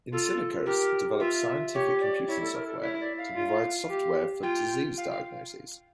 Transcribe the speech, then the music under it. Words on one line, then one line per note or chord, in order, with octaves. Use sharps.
Insilicos develops scientific computing software to provide software for disease diagnoses.
F4 A4
G4 A#4
F4 E5
G4 C#5
D5
E4 C#5
A4
A#4
A4
E4 C#5
D5
F5
F4
G4
F4 G5
F5
F5